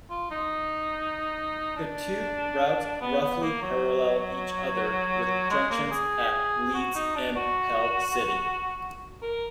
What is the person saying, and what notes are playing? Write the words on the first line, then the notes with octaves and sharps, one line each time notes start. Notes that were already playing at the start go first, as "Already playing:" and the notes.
The two routes roughly parallel each other, with junctions at Leeds and Pell City.
F4
D#4
D4
B3
B3
A#3
F#3
G#3
A#3
G#4
F#4
D#4
D4
F#4
A#4